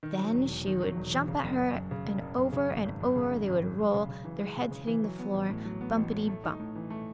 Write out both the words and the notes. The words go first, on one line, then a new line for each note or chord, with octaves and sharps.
Then she would jump at her and over and over they would roll, their heads hitting the floor bumpity-bump.
D#3
F#3
E1
E2
D#3
F#3
E1
E2
C#3
F#1
F#1
F#2
C#3
F#1
F#1
F#2
C#3
G#1
G#1
F#2
C#3
G#1
G#1
F#2
G#3
C#3
C#3
E3
G#3
C#3
C#3
E3
F#3
B3
A1
A2
F#3
B3
A1
A2
A3
D#4
A2
E3
A3